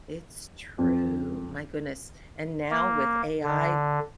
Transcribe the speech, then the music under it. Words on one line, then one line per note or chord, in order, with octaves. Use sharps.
it's true, my goodness, and now with AI
F2
A#3
D3